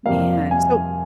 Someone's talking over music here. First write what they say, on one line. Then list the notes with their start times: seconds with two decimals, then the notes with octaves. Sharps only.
Man. So,
0.06 F2 C3 G3 A#3 F5
0.51 G#5